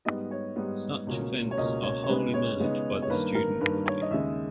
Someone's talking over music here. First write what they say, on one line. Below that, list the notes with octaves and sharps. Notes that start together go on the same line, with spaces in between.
Such events are wholly managed by the student body.
G#2 G3 B3 D#4 D#5
C#5
G#2 G3 B3 D#4
C#2 B2 A#3 C#4
C#5
C#2 B2 A#3 C#4 D#5
C#5
C#5
C#3 G#3 B3 D#4 B4
C#5
C#3 G#3 B3 D#4
C#5
G2 D#3 A#3 B4
A#4
G2 D#3 A#3 B4
C#5
D#5
D#2 C#3 G#3 D#4 E5